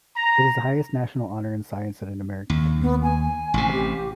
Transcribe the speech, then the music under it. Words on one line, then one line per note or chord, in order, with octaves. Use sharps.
It is the highest national honor in science that an American can receive.
A#5
D#2
B3
G#5
A1 C3
G4